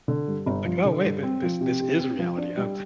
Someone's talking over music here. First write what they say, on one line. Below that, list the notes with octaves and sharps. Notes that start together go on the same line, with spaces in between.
Like, "Oh wait th this this is reality, huh?"
D3
G2
G1
F3
D3
G2
C4
F3
C3
G4
C4
F3
D4
G3